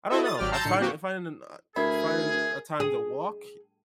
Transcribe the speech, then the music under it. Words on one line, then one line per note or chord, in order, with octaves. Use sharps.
I don't know, I find I find m uh, it's finding a time to walk
E4 F#4 A4 D#5 E5
D#6 A6
G#1 F#3 G4 D5 G5 F6
A5 A#5 C6 E6 G6 A6
A2 D3 D#4 C7 C#7
A#3 C4 F#4 G4
D2 E4 G#4 A#4
G#4